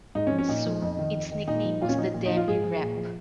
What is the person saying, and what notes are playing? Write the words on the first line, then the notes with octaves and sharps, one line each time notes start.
Soon its nickname was the demi-Rep.
G#2 D#4
C#4
F3
C#4
A#2 D#4
F3
F2
D#3
F2
D#3
A#2 D#4
F3
A#2 F4
C#4
F3 D#4
A#2
F3 D#4
F4
G#2 G#4
F3
A#2
F3